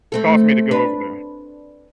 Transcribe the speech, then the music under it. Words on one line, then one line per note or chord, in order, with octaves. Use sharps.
cause me to go over there.
A3 C4 A4
D4 B4